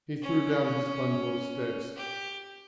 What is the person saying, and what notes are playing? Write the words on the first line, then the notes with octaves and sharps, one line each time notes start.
He threw down his bundle of sticks.
C#4
G4